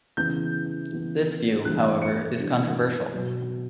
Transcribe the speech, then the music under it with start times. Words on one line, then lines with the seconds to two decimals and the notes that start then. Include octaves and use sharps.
This view, however, is controversial.
0.17 C#3 E3 B3 G6
0.91 C#3 E3 B3
1.65 G2 E3 G3 B3 F#6
2.02 C#7
2.39 G2 E3 G3 B3
3.13 B2 F#3 B3